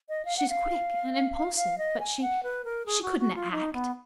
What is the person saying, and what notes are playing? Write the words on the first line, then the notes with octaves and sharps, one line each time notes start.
She's quick and impulsive, but she--she couldn't act.
D#5
F5
F#5
F5
F5
D#5
G#5
F#5
B4
A#4
G#4
F#4
F#4
F4
D#4
B3